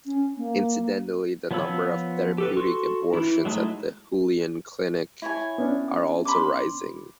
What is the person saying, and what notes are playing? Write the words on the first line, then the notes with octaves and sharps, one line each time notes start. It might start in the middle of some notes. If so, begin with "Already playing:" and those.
Incidentally, the number of therapeutic abortions at the Julian Clinic are also rising.
C#4
A#3
F3 B3 C#5 B5 E6
G4 A4 B4
F#4 A4 C6 C#6
E3 E4
F#3 G#3 A3 D#4 E4
E4 C#5 G#5
B3 C#4 D4
B5 C6 D6